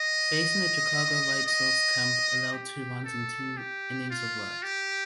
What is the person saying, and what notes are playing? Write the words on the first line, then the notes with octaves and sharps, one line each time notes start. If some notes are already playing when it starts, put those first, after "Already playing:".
Facing the Chicago White Sox, Camp allowed two runs in two innings of work.
Already playing: D#5
D#5
G4
A4
G4
F4
G4